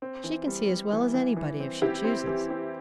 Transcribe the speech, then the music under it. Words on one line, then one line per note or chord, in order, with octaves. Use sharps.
She can see as well as any body, if she chooses.
C4
E3
G3
G3
E3
E3
E3
C4
C4 E4 G4
C4
E3
C4